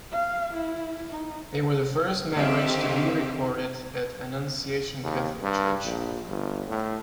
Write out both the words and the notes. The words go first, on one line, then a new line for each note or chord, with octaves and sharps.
They were the first marriage to be recorded at Annunciation Catholic Church.
F5
E4
D#4
D3 D#3 C4 G4 E5 F5
D#2
G2
A#1
G1
A2